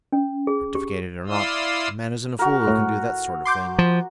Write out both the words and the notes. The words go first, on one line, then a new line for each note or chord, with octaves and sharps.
Certificated or not, a man isn't a fool who can do that sort of thing.
C#4
G#4
G4
E4 D5 F5 C6 D#6 E6
F#4 A#4
A2
C6 D6 G6
F3